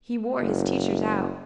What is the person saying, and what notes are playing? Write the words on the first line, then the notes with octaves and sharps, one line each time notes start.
He wore his teachers out.
F#1